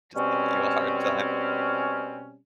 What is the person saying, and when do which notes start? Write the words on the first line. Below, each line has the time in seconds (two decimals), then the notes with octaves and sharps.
just give you a hard time.
0.16 B2 G3 C4 C#4